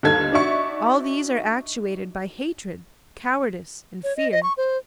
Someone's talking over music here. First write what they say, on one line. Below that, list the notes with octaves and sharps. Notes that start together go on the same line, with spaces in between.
All these are actuated by hatred, cowardice and fear.
G1 D#2 D#4 A4 G#6
D4 D#4 F#4 D5 E5 C#6
C#5
D#5
D#5
C#6
C5